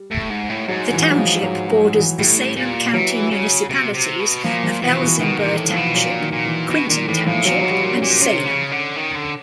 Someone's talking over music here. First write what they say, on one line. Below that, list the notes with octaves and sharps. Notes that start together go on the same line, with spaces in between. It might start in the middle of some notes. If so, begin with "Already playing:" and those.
The township borders the Salem County municipalities of Elsinboro Township, Quinton Township and Salem.
Already playing: G3
A2
G#2
A2
G#2 F#3
E3
F#3
F3
F#3
F#3
E3
A2 G3
A#2
E3 F#3
C#3
C3
C3
B2
A#2 F3
F3
B2 E3
E3
B2 D#3
A#2
E3
A2
E3
F3
B2
A#2 F#3
D#3
A#2
E3
B2
A#2 D#3
A2 E3
A2 F3
A#2 F#3
B2 F#3
G3
A#2
C#4
A#2
C3 C#4
C#3
D3
D#3
D3